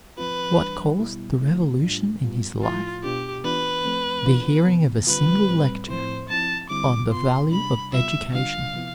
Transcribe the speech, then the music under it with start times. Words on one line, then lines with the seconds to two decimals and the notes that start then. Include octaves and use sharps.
What caused the revolution in his life? The hearing of a single lecture on the value of education.
0.18 F3 C4 F4 B4
0.59 E3 G3 D4
0.99 B2 G3 B3 E4
1.40 D3 A3 E4
1.81 A2 G3 D4 F4
2.22 A2 G3 B3 F4
2.62 A2 F3 A3 E4 F4
3.03 B2 B3 D4 F4 G4
3.44 E3 B3 D4 F4 B4
3.85 F3 A3 C4
4.26 E3 B3 D4 F4
4.66 C3 E3 B3
5.07 D3 G3 C4 F4 B4
5.48 A2 G3 C4
5.88 A2 F3 C4 E4 C5
6.29 F3 C4 E4 A5
6.70 D3 G3 C4 E4 D6
7.11 B2 B3 F4 C6
7.51 C3 G3 D4 B5
7.93 C3 G3 B3 F4 E5
8.33 D3 G3 D4 F4 F5
8.73 C3 F3 B3 E4